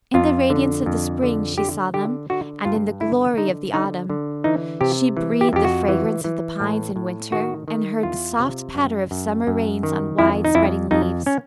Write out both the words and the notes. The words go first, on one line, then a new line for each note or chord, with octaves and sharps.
In the radiance of the spring, she saw them, and in the glory of the autumn; she breathed the fragrance of the pines in winter and heard the soft patter of summer rains on widespreading leaves.
F2 F4
D3
F2
D3
D3 G4
D3 G4
D3 F#4
G2 F4
D3 E4
D3 D#4
D3 D#4
D3
E3 D#4
C3 G4
E3
G4
F2 G4
F#4
E3
E3
A2
A2
D#3 F#4
D#3
E2 F4
C3
F#2
F#2
F#2
D#3
F2 E4
D#4
F2 E4
F2 D#4
C#4